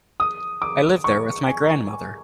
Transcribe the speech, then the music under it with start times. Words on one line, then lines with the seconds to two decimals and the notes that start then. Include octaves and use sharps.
I live there with my grandmother.
0.20 D#6
0.62 D6
1.04 C#6
1.47 G#5